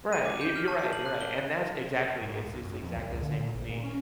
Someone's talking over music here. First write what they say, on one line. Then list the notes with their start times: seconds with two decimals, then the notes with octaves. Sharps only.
right, you you're right, you're right, and that's exactly it's it's exactly the same with me,
0.13 D#7
0.25 D6
0.41 G6
0.56 F6
0.68 A5
0.79 C7
0.93 F#7
1.06 F#6
1.21 G7
2.21 G#2
2.45 C#2
2.64 F#2
2.82 F2
2.96 C2
3.09 C#2
3.22 D3
3.39 A#2
3.55 G#1
3.69 A#2
3.84 C#4